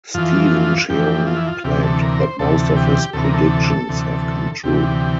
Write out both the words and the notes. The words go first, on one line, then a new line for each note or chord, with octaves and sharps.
Steven Cheung claimed that most of his "predictions" have come true.
F2 E3 F4
F2 E3 G4
F4
E4
F4
D2 C3 E3 G4
A4
A#4
C5
D2 C3 E3 A4
G4
D2 C3 E3 A4
A#4
A4
D2 C3 E3
D2 C3 E3 G4